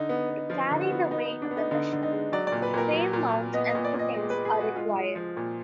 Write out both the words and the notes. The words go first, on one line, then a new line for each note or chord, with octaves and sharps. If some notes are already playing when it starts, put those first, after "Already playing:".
To carry the weight of the machine, "frame mounts" and "footings" are required.
Already playing: D3 D#4
B3
B3
F3 F4
D3
F#4
B3
B3 D#4
D#4
B3
D4
B3
D#4
D3 D#4
D3
D#4
G#3
F#3 D5
D5
A#2
B4
A#2 A#4
F#3
A#2
A#2
B3 D#5
D#5
A#2
D5
A#2
D#5
G#3 D#5
G#3 B4
G#4
G#3 F#4
G#3 F4
G#3
F3
A#2